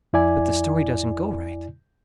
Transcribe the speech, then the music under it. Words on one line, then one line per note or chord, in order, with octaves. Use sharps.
But the story doesn't go right.
F2 E4 D5 G#5